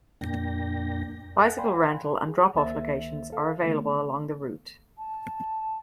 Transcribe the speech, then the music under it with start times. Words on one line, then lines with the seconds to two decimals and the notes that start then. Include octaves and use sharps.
Bicycle rental and drop off locations are available along the route.
0.21 F2 A#2 A#3 D4 G5 A#6
1.36 A4 F#5 F#6
1.57 D5 F5 G5 G#5 B5 C6
2.28 G#4
2.54 C#2 D#3 A#3 C5 E5 A6
3.32 A4 F5
3.62 D3 D#3 A3 B3
4.98 A5